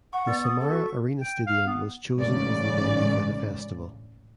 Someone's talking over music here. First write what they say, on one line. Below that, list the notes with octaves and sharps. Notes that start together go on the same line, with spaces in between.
The Samara Arena stadium was chosen as the venue for the festival.
F#5 C#6
B3 D5 A6 C#7
D#6
A4
F#4 C#6
G5
F5
B3
A1 G#2 C#3 D5